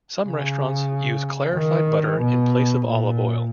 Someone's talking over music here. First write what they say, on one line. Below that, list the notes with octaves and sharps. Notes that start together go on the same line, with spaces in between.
Some restaurants use clarified butter in place of olive oil.
C#3
D#3
B2
A#2